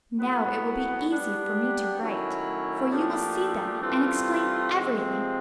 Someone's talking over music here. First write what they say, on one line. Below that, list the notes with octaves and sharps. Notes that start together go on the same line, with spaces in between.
Now it will be easy for me to write, for you will see them and explain everything.
A2 F#3 B3
G3 B3 D4 G4
D#3 F#3 A3 C#4 E4
A#2 F3 A3 D4 G4
G2 E3 A3 C4 F4
C3 F3 G#3 C4